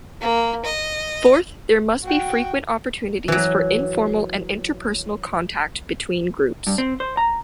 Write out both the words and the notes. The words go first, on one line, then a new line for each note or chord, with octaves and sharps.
Fourth, there must be frequent opportunities for informal and interpersonal contact between groups.
A#3
D#5
F#4 G5
E3 F#3
G2
C4
C5
A#5